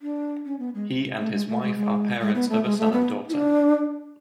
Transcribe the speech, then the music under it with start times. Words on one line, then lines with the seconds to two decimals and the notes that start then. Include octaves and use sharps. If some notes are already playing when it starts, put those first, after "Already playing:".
He and his wife are parents of a son and daughter.
0.02 D4
0.45 C#4
0.59 B3
0.75 G#3
1.18 A3
1.32 G#3
1.48 A3
1.62 G#3
1.77 G#3
2.20 G#3
2.35 B3
2.49 A3
2.64 G#3
2.78 A3
2.92 B3
3.29 E4
3.34 D4